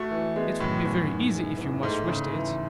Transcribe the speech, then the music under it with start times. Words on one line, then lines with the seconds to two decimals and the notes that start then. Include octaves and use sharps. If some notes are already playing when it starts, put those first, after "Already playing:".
"It would be very easy if you much wished it?"
Already playing: A3 F#4
0.11 E3
0.36 G#3 B3
0.60 F#2 A2
0.84 E2
1.09 D#3
1.34 G#3
1.58 E2
1.82 G#2 A3
2.07 C#3
2.32 E3